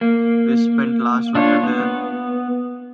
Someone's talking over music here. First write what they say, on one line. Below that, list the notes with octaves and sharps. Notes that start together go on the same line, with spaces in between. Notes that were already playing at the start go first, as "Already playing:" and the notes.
We spent last winter there.
A#3
D4 F4 C#5
B3